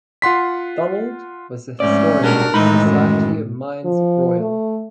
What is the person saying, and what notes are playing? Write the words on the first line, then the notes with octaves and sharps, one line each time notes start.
Donald was the historian of the Society of Mines Royal.
F4 F#5 C6 B6
F2 G#2 A3 C#4 D5
C#2 B2 G3 G#3 D4 A#4
A2 D#3 E3 G#3 D#4 B5
F#2
F3
A3